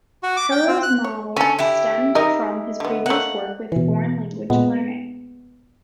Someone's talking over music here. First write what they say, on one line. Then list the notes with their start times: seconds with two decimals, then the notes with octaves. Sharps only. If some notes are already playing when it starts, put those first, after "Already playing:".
Carroll's model stemmed from his previous work with foreign language learning.
0.23 F#4
0.37 D6
0.51 G5
0.68 C4
0.83 F#6
1.04 C#5
1.37 D3 C#4 A4
1.59 E4 G4
2.15 D#4 A#4 D#5
2.80 D3 B3
3.06 A3 A#3 F#5
3.72 B2 E3
4.50 A#2 G#3 B3